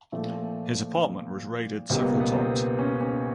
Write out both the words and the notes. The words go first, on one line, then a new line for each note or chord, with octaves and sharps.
His apartment was raided several times.
A#2 F3 A3 C4
C#2 B2 G3 A#3 C4
B3
B3
C4
C#4
C#4